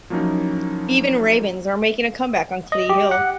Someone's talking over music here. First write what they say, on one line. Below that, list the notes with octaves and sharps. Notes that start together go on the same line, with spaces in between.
Even ravens are making a comeback on Clee Hill.
F3 F#3 A#3 C#4 D#4 E4
D#5
G4
F#5